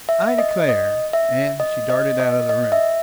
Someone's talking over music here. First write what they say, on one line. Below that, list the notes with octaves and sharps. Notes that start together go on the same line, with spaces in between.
"I declare!" and she darted out of the room.
E5
D#5
D#5
E5
D#5
D#5
D#5
D#5
E5